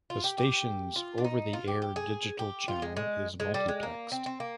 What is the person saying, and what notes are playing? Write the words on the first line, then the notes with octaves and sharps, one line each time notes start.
The station's over-the-air digital channel is multiplexed.
F4
G4
G4
F4
D4
D#4
F4
G4
G4
G#4
G4
F4
G#3
G#3
G#3
G3
G#3
A#3
C4
C4
A#3